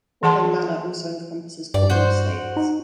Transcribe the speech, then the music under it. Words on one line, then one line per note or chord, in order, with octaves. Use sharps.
Cortlandt Manor also encompasses Cortlandt Estates.
E3 G#4 F#5 A5 C6
G2 D5
F#4 C5
D#4